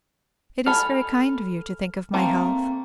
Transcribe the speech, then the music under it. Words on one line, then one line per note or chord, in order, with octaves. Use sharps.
It is very kind of you to think of my health.
A4 G#5 B5 F6
A3 A#3 C4